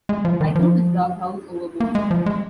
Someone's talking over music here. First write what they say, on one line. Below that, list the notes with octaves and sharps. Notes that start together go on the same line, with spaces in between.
I threw his doghouse overboard.
G#3
F3
D#3
F3
A#3
G#3
F3
G#3